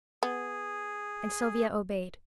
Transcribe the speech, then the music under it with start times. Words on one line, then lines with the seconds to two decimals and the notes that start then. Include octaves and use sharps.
And Sylvia obeyed.
0.23 B3 G#4